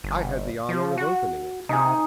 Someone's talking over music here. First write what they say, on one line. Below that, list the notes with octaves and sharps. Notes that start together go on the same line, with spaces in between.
I had the honour of opening it.
G1
F3
F#4
C3 D#4 G#4